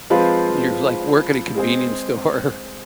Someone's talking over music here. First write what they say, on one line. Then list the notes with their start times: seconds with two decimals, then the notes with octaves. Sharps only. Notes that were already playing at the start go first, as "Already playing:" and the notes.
you, like, work in a convenience store,
0.10 F3 G#3 C4 F4 B4
1.55 G#3 C4 G#4